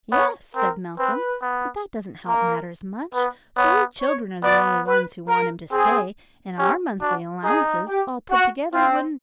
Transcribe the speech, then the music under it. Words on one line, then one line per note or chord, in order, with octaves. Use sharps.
"Yes," said Malcolm, "but that doesn't help matters much, for we children are the only ones who want him to stay, and our monthly allowances, all put together, wouldn't be enough."
B3 C#5
C4 A#4
C4 B4
B3
A#3 A#4
B3 B4
B3 C#5
C#5
B3 D5
B4
A#4
C4 G#4
C#4 G4
D4 F#4
D#4 G#4
G4
F#4
C4 F4